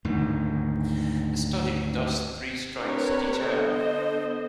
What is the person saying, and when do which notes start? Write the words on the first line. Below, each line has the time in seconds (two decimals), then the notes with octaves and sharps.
A study, Does Three Strikes Deter?
0.05 D2 G#2 D#3
2.75 C4 D4 G4 A#4 B4 C#5
3.42 D3 B3 A4 C5 D#5